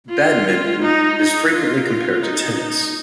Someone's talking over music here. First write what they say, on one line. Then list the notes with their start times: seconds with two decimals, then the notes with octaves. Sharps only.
Badminton is frequently compared to tennis.
0.10 F4
0.82 D#4
1.17 D#4
1.52 F4
1.88 F4
2.23 D#4